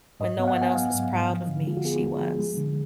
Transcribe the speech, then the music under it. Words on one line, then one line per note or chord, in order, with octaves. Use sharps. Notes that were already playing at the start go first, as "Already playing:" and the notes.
When no one else was proud of me, she was.
G#2 D#5
B3 F5
F#5
B3 G#5
F#3 F5
G#2
G#2
F3
D3
G#3 F4
F#4
B3 G#4
G#3
F3
G#3
D3